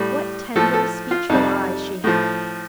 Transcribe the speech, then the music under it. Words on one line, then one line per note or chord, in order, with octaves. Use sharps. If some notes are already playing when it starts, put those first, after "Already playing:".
What tender, speechful eyes she had!
Already playing: A2 G3
A2 F3 A4
A4
F4
F2 C3 G3 D#4
A2 F3